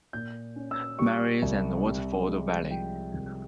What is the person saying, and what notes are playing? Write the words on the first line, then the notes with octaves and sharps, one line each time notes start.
Mary's and Waterford Valley.
A#2 G6
C#4
E6
G3 C#6
C2
C3
G#3
F3 G5
C2